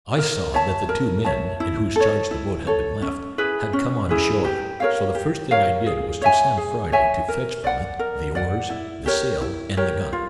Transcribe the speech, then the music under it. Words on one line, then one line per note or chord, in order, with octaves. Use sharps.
I saw that the two men, in whose charge the boat had been left, had come on shore; so the first thing I did was to send Friday to fetch from it the oars, the sail, and the gun.
A#4
C#5 E5 A5
A#4
C#5 E5 A5
E4
A4 C#5
E4
A4 C#5
C#4
E4 G#4 B4
C#4
E4 G#4 B4
G4
A#4 C#5 F5
G4
A#4 C#5 F5
G#4
C#5 E5 G#5
G#4
C#5 E5 G#5
A#4
D5 F#5
A#4
D5 F#5
E4
G4 A#4 C#5
E4
G4 A#4 C#5
F4